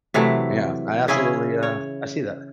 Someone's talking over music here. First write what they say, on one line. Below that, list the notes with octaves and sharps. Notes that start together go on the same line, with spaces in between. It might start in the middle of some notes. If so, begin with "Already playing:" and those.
Yeah. I absolutely, uh, I see that.
C3 E3 F#3 A3
C#3 C#4 E4 G#4
C#5